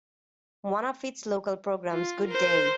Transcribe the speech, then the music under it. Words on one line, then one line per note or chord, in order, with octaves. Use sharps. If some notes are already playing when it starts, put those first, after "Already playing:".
One of its local programs, Good Day!
F4
A#4 C5